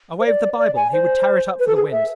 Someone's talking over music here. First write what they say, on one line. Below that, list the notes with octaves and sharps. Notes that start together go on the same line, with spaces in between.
Away with the Bible: he would tear it up for the winds!
C5
D5
D5
G#5
C5
B4
A4
G#4
E5